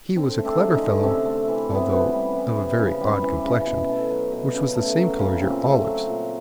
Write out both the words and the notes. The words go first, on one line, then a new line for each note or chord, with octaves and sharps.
He was a clever fellow, although of a very odd complexion, which was the same color as your olives.
D3 C4
A3
C4 D4
F#3
C#4 D#4
D3
C3 C4 D4
A3
E3
C3
B3
C4
C3 B3 C#4
G3
E3
C3
C#3
G3
E3
C#3
B2
A3
F#3
B2
C#3
A3
F#3
C#3
A#2 C4
A3
F#3
A#2